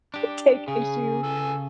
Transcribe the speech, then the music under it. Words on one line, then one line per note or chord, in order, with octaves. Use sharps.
take issue
D4 G4
C#3 G#4
A4 G#5 E6